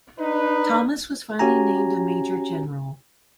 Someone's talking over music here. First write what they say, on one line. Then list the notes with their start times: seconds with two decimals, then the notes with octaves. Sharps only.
Thomas was finally named a major general.
0.19 D4 D#4 B4
1.39 C#4 F#4 G4 G#5 A#5